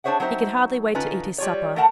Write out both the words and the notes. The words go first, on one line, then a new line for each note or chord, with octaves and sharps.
He could hardly wait to eat his supper.
D4 G#4 C5 C#5 E5 F#5
F#3 C4 D#4 C5 E5
D3 C#4 D#4 F4 B4
G3 F4 C#5
A3 A4 A#4 F#5 A5 A#5